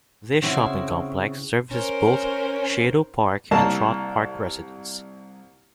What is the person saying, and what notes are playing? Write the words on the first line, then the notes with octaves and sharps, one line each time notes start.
This shopping complex services both Sheidow Park and Trott Park residents.
C#3 C4 E4 F#4
C#4 A#4 C5
C2 A#3 A5 A#5